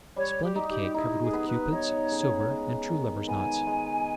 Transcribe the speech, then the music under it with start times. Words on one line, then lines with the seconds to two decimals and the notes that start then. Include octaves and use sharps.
Splendid cake, covered with Cupids, silver, and true-lovers' knots.
0.16 G3 C#5
0.43 G4
0.56 D#4
0.69 G4
0.94 D#4 E4
1.21 G#4
1.33 B3
1.47 B4
1.72 D#4 C#5
2.11 C#3
2.50 G#3
2.89 D#3
3.28 B3 G#5
3.67 G#3